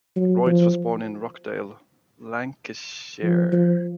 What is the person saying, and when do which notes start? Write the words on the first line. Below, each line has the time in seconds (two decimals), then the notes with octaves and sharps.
Royds was born in Rochdale, Lancashire.
0.16 F#3
0.47 F3
3.23 F3
3.52 F3